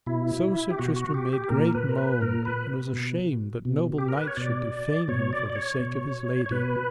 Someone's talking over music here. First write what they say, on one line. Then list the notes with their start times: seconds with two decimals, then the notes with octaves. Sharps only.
So Sir Tristram made great moan and was ashamed that noble knights should defame him for the sake of his lady.
0.07 B2 E4
0.71 G4
0.78 B2 F#4
0.96 F#4
1.14 G4
1.33 G4
1.50 A#2 A#4
1.75 B4
1.89 A#4
1.98 B4
2.21 A#2 A#4
2.45 B4
2.94 B2
3.65 B2
3.98 G4
4.09 A#4
4.18 B4
4.27 C#5
4.37 B2 D5
5.08 B2 C#5
5.33 D5
5.50 D5
5.55 C#5
5.80 B2
6.46 C#5
6.51 B2 B4